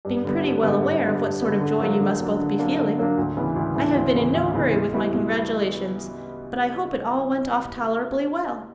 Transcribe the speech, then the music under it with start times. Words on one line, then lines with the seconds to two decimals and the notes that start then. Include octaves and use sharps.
Being pretty well aware of what sort of joy you must both be feeling, I have been in no hurry with my congratulations; but I hope it all went off tolerably well.
0.05 G2
0.25 D3 G3 B3
0.44 G2
0.63 D3 G3 B3
0.83 G2
1.03 D3 G3 B3
1.21 G2
1.41 D3 G3 B3
1.61 D3
1.80 F#3 A#3 D4
2.00 D3
2.19 F#3 A#3 D4
2.39 D3
2.59 F#3 A#3 D4
2.78 D3
2.98 F#3 A#3 D4
3.18 D2
3.36 C#3 E3 B3
3.56 D2
3.76 C#3 E3 B3
3.95 D2
4.15 C#3 E3 B3
4.34 D2
4.54 C#3 E3 B3
4.74 B2
4.93 G3 B3 E4
5.13 B2